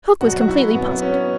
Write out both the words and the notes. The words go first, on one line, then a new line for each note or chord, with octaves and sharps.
Hook was completely puzzled.
B2 F#3 F#4
F#4
E4
B2 F#3 B3
B3
C#4